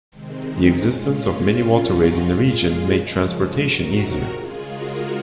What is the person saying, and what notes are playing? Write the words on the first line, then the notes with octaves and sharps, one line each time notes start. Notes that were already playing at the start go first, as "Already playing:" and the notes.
The existence of many waterways in the region made transportation easier.
C3 D#3 G#3 C4
C4 D#4
A#2 G#3 C#4 F4
C3 F#3 C#4 F4
D#4 F#4
A#2 G#3 F4 G#4
C#3 F3 G#3
C3 D#3 F#3 F#4 A#4
C#3 G#3 F4 G#4
F#4 A#4